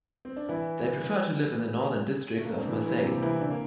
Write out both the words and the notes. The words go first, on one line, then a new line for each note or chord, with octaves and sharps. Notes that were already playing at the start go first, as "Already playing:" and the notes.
They prefer to live in the northern districts of Marseille.
C4
D4
E3 E4
A3
A#3
C4
D4
E3 E4
E3 E4
A#3
C3 C4
E3 E4
D3 D4
A#3